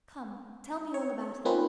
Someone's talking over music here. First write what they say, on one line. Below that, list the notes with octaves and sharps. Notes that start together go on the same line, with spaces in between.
"Come, tell me all about it."
C#5
A#3 C4 C#4 D#4 F4 B4